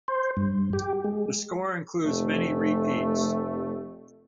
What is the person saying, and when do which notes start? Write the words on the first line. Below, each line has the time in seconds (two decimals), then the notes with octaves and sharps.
The score includes many repeats.
0.08 C5
0.37 G2
0.73 G4
1.04 G#3
2.03 F1 A3